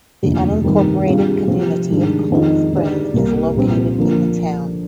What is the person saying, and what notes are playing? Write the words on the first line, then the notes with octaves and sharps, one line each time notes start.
The unincorporated community of Cold Spring is located in the town.
F1 D#2 D3 F3
G2 D#3 G3 C4
C3 G3 D4 F4 G#4
C3 F3 C4
G#2 D#3 G3 D4 G#4
F2 D#3 G#3 D#4
D3 G#3 D#4 G4 D5
C2 C3 G3 A#3
A#1 A#2 G3 C4
D3 F3 A#3